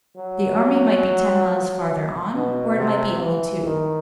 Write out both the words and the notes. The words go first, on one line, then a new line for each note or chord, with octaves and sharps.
The army might be ten miles further on or it might be only two.
F#3
B2
C3
E3
D#3